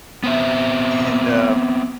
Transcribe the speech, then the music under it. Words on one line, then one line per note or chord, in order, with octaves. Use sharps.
and, um,
B3 C4 E5